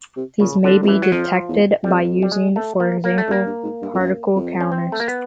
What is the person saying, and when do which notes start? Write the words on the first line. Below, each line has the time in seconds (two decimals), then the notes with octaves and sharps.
These may be detected by using for example particle counters.
0.16 C3
0.40 A#2 C#3
0.64 F2 D3
0.82 F2
0.88 F#2 E3
1.02 F#3
1.12 F2 F3
1.48 E2
1.84 F2 G3
2.22 G3
2.32 G#3
2.56 A3
2.80 A#3
3.04 A#3
3.18 A3
3.28 F#2
3.31 A#3
3.46 G2
3.64 G#2
3.82 G2
3.93 F2
3.99 F#2
4.36 F2
4.61 C#4
4.72 C4
4.92 A3
5.00 A#3
5.08 B3